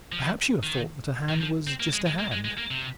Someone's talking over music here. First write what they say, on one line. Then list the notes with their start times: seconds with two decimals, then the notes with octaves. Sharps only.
Perhaps you have thought that a hand was just a hand.
0.12 F3
0.63 D#3
1.29 D#3
1.41 F3
1.67 C4
1.80 A#3
1.93 G#3
2.06 G#3
2.19 A#3
2.32 G#3
2.45 G#3
2.58 A#3
2.71 C3